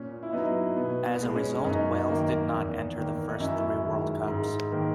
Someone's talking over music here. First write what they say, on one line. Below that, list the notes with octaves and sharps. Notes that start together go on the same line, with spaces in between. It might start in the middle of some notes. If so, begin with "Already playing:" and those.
As a result, Wales did not enter the first three World Cups.
Already playing: A#2 C#4
E4
F#3 B3 D#4
B2 B3
B3
G#3 B3
C#4
F#2 D#4
D#3 A#3
E2
D#3 A#3
D#4
F#2 E4
D#3 G#3
G#2
D#3 A#3